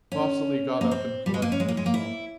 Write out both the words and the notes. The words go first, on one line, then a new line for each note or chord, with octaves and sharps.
Vasily got up and collected himself.
C#4
A#3
C4
G3
G#3
A#3
C#4
G#3
A#3
G#3
A#3
E4